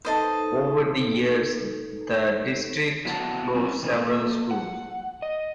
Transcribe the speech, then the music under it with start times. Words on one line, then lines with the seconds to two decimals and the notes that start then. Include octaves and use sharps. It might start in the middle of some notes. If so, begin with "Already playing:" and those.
Over the years, the district closed several schools.
0.05 D#4 A4 B4 C5 D#5 A5
3.05 F#3 B3 E4 E5 F#5 A5
3.55 C4 C#4 E4
3.83 C3 E3 C#4 G#4
3.96 A#3 A4
4.51 F#5
5.22 D#5